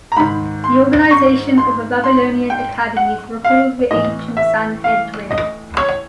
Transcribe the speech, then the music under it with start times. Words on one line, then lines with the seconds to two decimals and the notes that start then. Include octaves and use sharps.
The organization of the Babylonian academies recalled the ancient Sanhedrin.
0.12 A#5
0.16 G#2 D#3 B5
0.64 C6
1.11 C#6
1.58 C6
2.04 C6
2.50 G5
2.97 F#5
3.44 F5
3.91 A2 E3 D#5
4.37 E5
4.84 F5
5.31 D#5
5.77 C#5